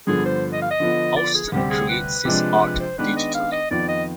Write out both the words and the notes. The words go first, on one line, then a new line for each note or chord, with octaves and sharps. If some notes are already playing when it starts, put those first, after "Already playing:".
Austen creates his art digitally.
G2 D3 F3 B3 G#4
C5
D#5
F5
D#5
D3 F3 B3 F4
D5
G#4
D2 C3 G3 C4 G4
G#4
B4
C3 F3 G#3 D4
B4
C5
D#3 G#3 B3 D4 B4
D#5
F5
D#5
F2 D#3 B3 F4 D5
D#5